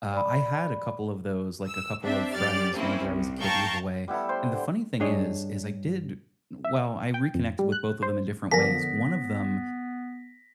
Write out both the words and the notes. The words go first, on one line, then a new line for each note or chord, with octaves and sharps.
uh, I had a couple of those like, a couple of friends whenever I was a kid move away, and the funny thing is, is I did well, I reconnected with both of them in different ways, one of them
D5 B5
E6
C4 D4 E5
F#2 G4 D5 F6 A6
A#3 C4 C#4 E4
C2
F5 G5 A5 A#5 C#6 G6
G3 B3 E4 A4
C5 G5 C6
D3
G2 D4 G#4 C#5 D#5
E5
G5
F2
G3
F#6
C5
D3 F3 B3 A#4 G#5 A5 A#6 B6